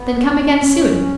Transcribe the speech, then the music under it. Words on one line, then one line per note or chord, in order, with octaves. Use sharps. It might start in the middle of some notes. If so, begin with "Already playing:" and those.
Then come again soon.
Already playing: B3
C#4